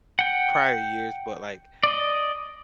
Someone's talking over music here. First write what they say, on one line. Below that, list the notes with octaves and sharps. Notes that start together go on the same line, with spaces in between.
prior years, but, like,
F#5 G5
D5 D#5